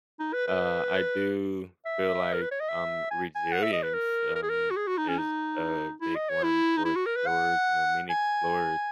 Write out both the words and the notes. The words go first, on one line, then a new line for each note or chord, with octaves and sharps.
Uh, I do feel like, um, resilience, um, is a big one for explorers. You know, many explorers,
D#4
B4
B4
E5
A#4
B4
C#5
D#5
E5
G#5
G#5
F#5
E5
D#5
B4
A#4
A#4
G#4
A#4
F#4
G#4
F#4
D#4
C#4
D#4
E4
D#5
C#5
E4
D#4
E4
F#4
A#4
B4
F#5
G#5